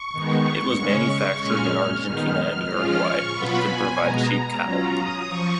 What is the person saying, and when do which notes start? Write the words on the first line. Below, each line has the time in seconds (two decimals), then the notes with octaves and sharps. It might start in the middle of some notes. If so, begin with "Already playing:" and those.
It was manufactured in Argentina and Uruguay which could provide cheap cattle.
Already playing: C#6
0.12 D#3 G#3 B3 D#4
0.77 C#3 G#3 C#4
1.41 A#2 G#3 C#4 F6
1.73 F6
2.06 D#3 G#3 B3 D#4 F6
2.38 F6
2.70 F3 G#3 C#4 F4 F6
3.02 C#6
3.34 B2 F#3 B3 F4 B5
3.67 G#5
3.99 B2 G#3 B3 A#5
4.64 F#3 C#4 F4 A#5
4.96 D#6
5.28 F3 C#6